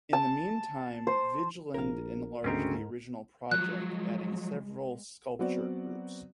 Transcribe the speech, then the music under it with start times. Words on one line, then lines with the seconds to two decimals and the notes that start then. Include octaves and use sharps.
In the meantime Vigeland enlarged the original project, adding several sculpture groups.
0.13 A5
1.07 C5
1.74 A#1 A#4 F5
2.44 D2 G#2 C#3 C4 C#4 A#4
3.51 F3 F#3 G#3 F#6
5.39 F#3 B3 C4 F#4 D5